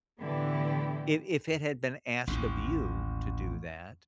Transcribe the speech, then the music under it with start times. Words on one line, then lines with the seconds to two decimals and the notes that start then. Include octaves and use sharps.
if if it had been asked of you to do that,
0.21 A2 D3 E3 B3 E4 G4
2.27 A1 D#2